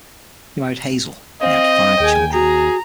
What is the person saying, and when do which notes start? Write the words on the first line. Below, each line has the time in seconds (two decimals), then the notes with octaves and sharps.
He married Hazel and they had five children.
1.41 C4 D#5 F5
2.00 D#2 G#4 G5 G#5
2.33 F#4 G#4 A#5